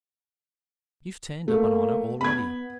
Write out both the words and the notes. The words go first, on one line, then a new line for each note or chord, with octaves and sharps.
You've turned up an honor already.
A3 A#3
B3 B5 G#6